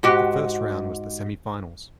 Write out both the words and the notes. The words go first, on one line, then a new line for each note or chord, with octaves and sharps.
The first round was the semifinals.
G#2 F#4 G4